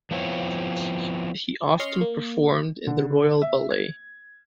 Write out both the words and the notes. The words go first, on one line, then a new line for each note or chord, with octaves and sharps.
He often performed in the royal ballet.
F3 B3 C4 E4 C#5
C#4 D#5 C6 C#6 F6
A#3
D3
E5
G#6